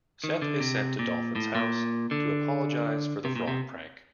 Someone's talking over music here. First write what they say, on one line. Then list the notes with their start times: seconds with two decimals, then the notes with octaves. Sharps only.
Seth is sent to Dolphin's house to apologise for the frog prank.
0.24 D#3
0.42 D3
0.60 C3
0.99 A#2
1.35 A2
1.55 A#2
2.11 D3
3.25 C3
3.36 A#2
3.48 C3